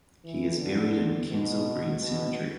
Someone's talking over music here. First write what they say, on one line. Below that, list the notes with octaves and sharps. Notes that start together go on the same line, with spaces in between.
He is buried in Kensal Green Cemetery.
E3
D3
B2
B2